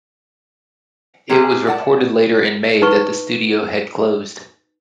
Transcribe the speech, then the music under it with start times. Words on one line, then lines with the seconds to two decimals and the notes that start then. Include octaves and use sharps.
It was reported later in May that the studio had closed.
1.29 C3 C#4 G4 G#4
1.67 D5 F#5 A5
2.82 D#4 B4 C#6